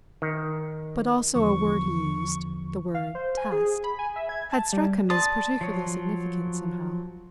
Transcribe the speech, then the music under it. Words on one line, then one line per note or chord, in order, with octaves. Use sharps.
But also a word he used, the word "test," had struck him as particularly significant somehow.
D#3
E2 D3 F3 C#6
F5
C5
G#5
G#4
B5
G#5
E5
G#6
A5
G3
D5 A5 C6 D#6
F3 F#3 C#5